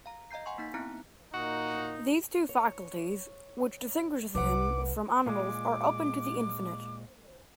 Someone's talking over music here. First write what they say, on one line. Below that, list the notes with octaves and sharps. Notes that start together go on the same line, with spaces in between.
These two faculties, which distinguishes him from animals, are open to the infinite.
F5 A#5
D#5 F5 A#5 G6 C7
F#5 G#5 C6 C#6
A#3 D#4 G6 B6
B3 C4 E4 A#5 F#6 C#7
A#2 A#3 D#4 F#4
C#5
C2 G3 B4 F#5 D6
A#2 G#3 D6